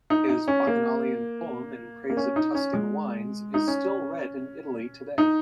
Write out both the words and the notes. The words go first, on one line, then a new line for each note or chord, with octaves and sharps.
His bacchanalian poem in praise of Tuscan wines is still read in Italy today.
D#4
D#4
C#4
A#3
A#3
C#4
D#4
C#4
G#3
D#4
C#4
D#4